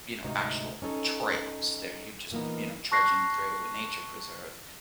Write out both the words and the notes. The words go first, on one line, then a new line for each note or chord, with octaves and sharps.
you know, actual trails, they're you're just, you know, trudging through a nature preserve.
D2 G#2 C3 D#4 F#4
C#4 D#4 A4
A#2 E3 A#3 B3 D#4
A5 C#6 F#6 A#6 C7